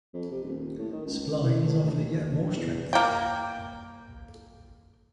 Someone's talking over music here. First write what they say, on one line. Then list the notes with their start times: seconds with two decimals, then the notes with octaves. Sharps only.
Splines offer yet more strength.
0.14 F2
0.31 C3
0.44 D#1
0.78 A2
0.92 D#3
1.05 C#2
1.43 E3
1.64 A2
1.84 D2
1.98 D#2
2.30 D2
2.56 E2
2.93 A#3 G5